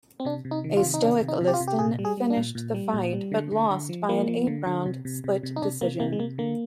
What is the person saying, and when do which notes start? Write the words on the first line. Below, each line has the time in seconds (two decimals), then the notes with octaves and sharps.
A stoic Liston finished the fight but lost by an eight-round split decision.
0.20 C4
0.25 C3 D4
0.45 C3
0.51 D#4
0.64 D#3
0.77 F4
0.83 C3
0.94 D#4
1.02 D#3 D4
1.21 C3
1.28 D#4
1.41 C3
1.48 G4
1.54 F4
1.60 C3
1.68 G4
1.79 A#2 G#4
1.99 G3
2.05 G#4
2.17 G3
2.30 D4
2.37 A#2
2.55 A#2
2.74 G3
2.94 A#2
3.13 G3
3.32 D3
3.52 D3
3.71 D3
3.89 F3
4.09 F3 A#3
4.28 F3
4.47 D3
4.66 D3
4.86 C3
5.05 C3
5.24 C3
5.43 C3
5.56 D#4
5.62 C3 D4
5.81 C3 A#3
6.00 C3 A#3
6.13 G#3
6.19 C3 A#3
6.38 D3 A#3